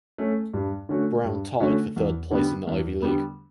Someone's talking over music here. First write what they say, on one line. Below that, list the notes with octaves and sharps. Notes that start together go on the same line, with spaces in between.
Brown tied for third place in the Ivy League.
A3 C#4
G2
D3 A3 C#4 F#4
G2
D3 A3 C#4 F#4
E2
D3 G3 B3
E2
D3 G3 B3